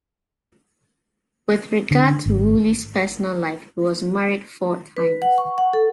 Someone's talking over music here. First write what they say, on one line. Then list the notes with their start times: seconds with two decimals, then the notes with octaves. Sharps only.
With regard to Wooley's personal life, he was married four times.
1.91 D3
2.26 G#1
4.97 B4
5.22 F#5
5.38 C#6
5.58 F#5
5.73 A4